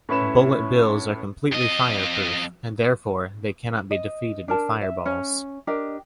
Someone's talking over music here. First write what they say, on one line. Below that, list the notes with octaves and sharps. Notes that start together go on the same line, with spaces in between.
Bullet Bills are completely fireproof, and therefore, they cannot be defeated with fireballs.
A2 C#4 E4 B4 E7
F2 D#5
D#5
D4 A#4 A5
E5
C#4
D4 G4 A#4 D#5